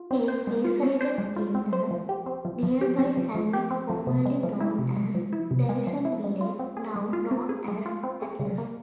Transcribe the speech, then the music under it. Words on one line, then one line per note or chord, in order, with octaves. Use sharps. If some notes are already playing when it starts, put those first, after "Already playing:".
He resided in a nearby hamlet formerly known as Davisonville, now known as Atlas.
Already playing: F4
C4
C5
G#3
F4
C4
C5
G#3
F4
C4
C5
F3
G4
C4
F3
F3
G4
C4
F3
F3
G4
C4
F3
C3
G#3
F3
E4
C3
G#3
F3
E4
C3
G#3
F3
E4
G#3
F4
C4
G#4
G#3
F4
C4
G#4
G#3
F4
C4
G#4
C#3
A#3